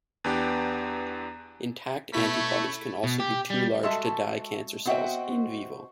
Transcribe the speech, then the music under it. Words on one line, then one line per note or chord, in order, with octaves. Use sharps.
Intact antibodies can also be too large to dye cancer cells "in vivo".
E2 B3 D4 G4
B2 A3 E4 C#5 B5 B6
B2
G4
G3
G#3 F#4 A4 E5 A5
B3 C4 F#4 D#5 E5 G5